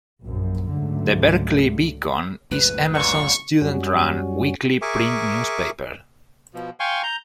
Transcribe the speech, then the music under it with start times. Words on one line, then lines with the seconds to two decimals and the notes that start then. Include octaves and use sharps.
"The Berkeley Beacon" is Emerson's student-run, weekly print newspaper.
0.22 A#1 F#2
0.68 C#2 G#2 D3 F#3 A3
2.51 F#1 C#2 A2 B4
2.95 F#2 A#2 C#6
3.61 F#2 G3 C#4 F#4
4.82 G#4 A#4 E5 G#5 C#6 D6
6.54 B2 F3
6.80 F5 G5 G#5 C6 C#6
7.03 A#5 G6